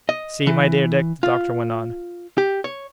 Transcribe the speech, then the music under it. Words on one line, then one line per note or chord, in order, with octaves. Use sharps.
"See, my dear Dick!" the doctor went on.
D#5
E3
F4
G4
C#5